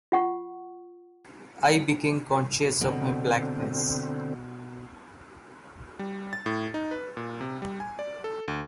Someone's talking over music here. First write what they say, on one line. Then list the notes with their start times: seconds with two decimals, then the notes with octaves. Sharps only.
I became conscious of my blackness.
0.12 F4 F#5 C#6
2.81 B2 D3 C4
5.99 G3
6.33 A6
6.46 A2
6.74 D#4
6.91 B4
7.17 A#2
7.41 C3
7.62 G3
7.80 G#5
7.99 D5
8.24 A4
8.48 D2